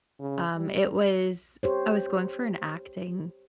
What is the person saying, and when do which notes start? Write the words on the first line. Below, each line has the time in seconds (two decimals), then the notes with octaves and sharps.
um, it was I was going for an acting
0.20 C#3
0.56 G3
1.63 G4 C5 C#5